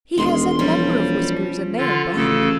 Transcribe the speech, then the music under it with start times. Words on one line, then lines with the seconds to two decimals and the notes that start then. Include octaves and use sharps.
He has a number of whiskers and they are black.
0.18 E1 D#3 G#3 C6
0.59 F3 G3 C#4
1.77 D3 F4
2.16 A1 C#3 A4